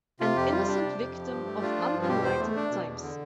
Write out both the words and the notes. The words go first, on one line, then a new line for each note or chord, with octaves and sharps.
An innocent victim of unenlightened times.
C3 F4
F2 G4
G3 F4
D4 G4
C3
F2
F3
G2
A3
D4 F4
F3
G2
F4
B2 G4
E2 C5
A3
D4
B2
E2
D3